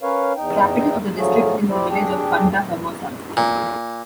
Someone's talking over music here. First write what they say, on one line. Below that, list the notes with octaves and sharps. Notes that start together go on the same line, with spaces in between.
The capital of the district is the village of Punta Hermosa.
C#4 A#4 B4 C#5 F5
E2 D#4 G5
D3 F3 F#3 A3 G#4
E4 G4 C5 D5
D4 G4 G#4 G5
A#2